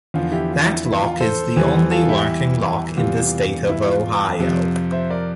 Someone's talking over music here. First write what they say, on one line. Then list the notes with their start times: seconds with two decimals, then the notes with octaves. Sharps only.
That lock is the only working lock in the state of Ohio.
0.14 E2 D3 F3 F4
0.32 E4 G4
0.50 F4
0.62 E4
0.73 E4
0.85 E4
1.03 F4
1.20 A4 C5
1.56 E2 E3 G3
1.91 F4 A4
2.09 E4 G4
2.97 E2 C3 G3 F4
3.69 E4
3.86 F4
4.39 F2 C3 F3
4.92 C5 E5
5.10 A#4 D5